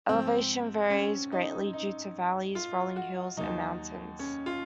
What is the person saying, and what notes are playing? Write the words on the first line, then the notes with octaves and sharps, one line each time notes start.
Elevation varies greatly due to the valleys, rolling hills, and mountains.
G#2 F3 C4
C#4
D#4
D#4
F4
F#4
D#2 D#3 F#3 D#4
C#4
F4